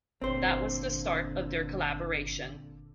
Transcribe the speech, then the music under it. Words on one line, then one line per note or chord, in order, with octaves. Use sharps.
That was the start of their collaboration.
G1 A#2 D3 C4 C5